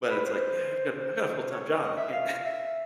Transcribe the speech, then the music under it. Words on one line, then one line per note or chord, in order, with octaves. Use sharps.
but, it's like, "Yeah, I've got I've got a full time job I can't"
B4
C5
C5
C#5
D#5
E5
F5
E5